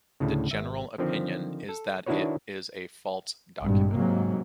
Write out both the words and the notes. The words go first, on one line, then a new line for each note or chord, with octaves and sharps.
The general opinion is that it is a false document.
D2 A2 C#3
G#1 E5
D3 D#3 F3 C4
A4
D#3 D4 E4 F#4 B4 C#5
G#1 G2 A#2
G#2 C3 F#3 A#3